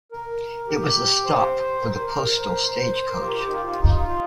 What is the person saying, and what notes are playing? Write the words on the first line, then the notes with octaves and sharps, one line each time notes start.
It was a stop for the postal stagecoach.
A#4
A#4
G4
C5
A#4
C5
A#4
C5
A#4
C5
C5
A#4
F4
G4
G4
D#4
F4
F4
D#4
F4